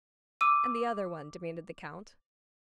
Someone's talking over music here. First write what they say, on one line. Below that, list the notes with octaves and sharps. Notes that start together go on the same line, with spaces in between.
"And the other one?" demanded the count.
D6 E6 D#7